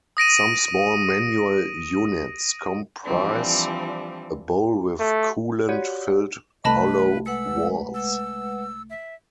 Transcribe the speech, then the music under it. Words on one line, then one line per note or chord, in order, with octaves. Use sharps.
Some small manual units comprise a bowl with coolant filled hollow walls.
D#6 A#6 D7 D#7
E3 F3 G3 C4 D4
A3
F#4 G4 C#5 D5 F#5
C2 A3 B4 D#5 A5 B5
G#3 B4 F#5 E6
E6
E5